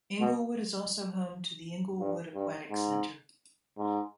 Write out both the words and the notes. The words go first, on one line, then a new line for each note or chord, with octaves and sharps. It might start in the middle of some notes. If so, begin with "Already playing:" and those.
Inglewood is also home to the Inglewood Aquatic Centre.
B2
G2
G2
G#2
G#2